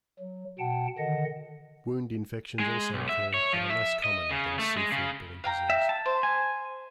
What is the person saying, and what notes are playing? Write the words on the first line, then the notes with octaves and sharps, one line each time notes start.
Wound infections also occur, but are less common than seafood-borne disease.
F#3
B2 F#5 G5 A5
D3 D#3 D#5 F#5
G#3
B1
E5
C#5
F3
E5
D#5
C#3
A3
G#3
C#3
F5 G5 A#5
E5
A5
C5
G#5